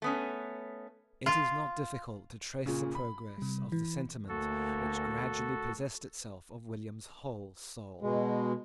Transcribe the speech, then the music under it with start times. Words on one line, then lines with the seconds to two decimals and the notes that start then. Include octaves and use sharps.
It is not difficult to trace the progress of the sentiment which gradually possessed itself of William's whole soul.
0.02 A3 B3 C#4
1.26 F4
2.66 A#2 C#3
2.95 B5
3.38 C3 G3
3.72 E3
4.29 D2 A#3 F#4 A4
8.02 B2 G#3